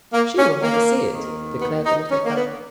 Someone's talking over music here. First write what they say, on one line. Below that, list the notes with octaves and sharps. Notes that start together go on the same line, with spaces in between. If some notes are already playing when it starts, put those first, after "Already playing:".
"She will never see it," declared the little fellow.
A#3
C#4
A#3
D#2 D#3
B3
D#4
C#4
A#3
B3